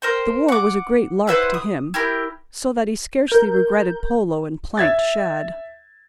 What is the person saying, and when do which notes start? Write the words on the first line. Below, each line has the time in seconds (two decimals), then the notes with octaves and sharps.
The war was a great lark to him, so that he scarcely regretted polo and planked shad.
0.02 A#4 C5 G5
0.48 F#5 D6
1.27 E4 B4 C5 F#5
1.54 D#6
1.94 E4 G4 A#4
3.28 A#4 G6
4.77 E5 G#6 A6